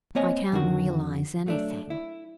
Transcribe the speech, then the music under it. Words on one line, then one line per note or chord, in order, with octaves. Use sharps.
I can't realise anything.
A#3 C4 C#5 D#5 G#5
F2 D3 D#3 F#4
F#3 A3 D4
E4